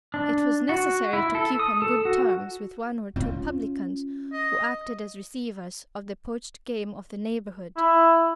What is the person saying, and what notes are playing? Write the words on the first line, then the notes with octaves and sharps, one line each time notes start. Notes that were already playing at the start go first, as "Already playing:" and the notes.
It was necessary to keep on good terms with one or two publicans who acted as "receivers" of the poached game of the neighbourhood.
D4
F#4
E4
A4
D#6
A4
F#4
C#4 F4
D#5
E4